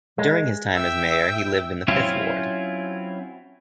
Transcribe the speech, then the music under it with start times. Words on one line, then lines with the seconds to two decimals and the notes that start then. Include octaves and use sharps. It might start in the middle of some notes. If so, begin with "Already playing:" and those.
During his time as mayor he lived in the Fifth Ward.
0.18 G#3
0.76 E5 G5
1.88 F#3 C4 C#4 E4 F4